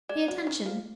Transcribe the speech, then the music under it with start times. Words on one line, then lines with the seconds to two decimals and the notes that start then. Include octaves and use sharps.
Pay attention!
0.09 G#3 D5
0.28 F#3
0.47 D#3
0.66 F3